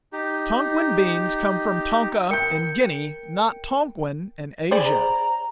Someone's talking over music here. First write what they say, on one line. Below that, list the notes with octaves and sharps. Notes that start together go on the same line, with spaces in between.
Tonquin beans come from Tonka, in Guinea, not Tonquin, in Asia.
D#4 G4
A#4 G5 G6 C#7
G#4 C5 D5 B5
A#5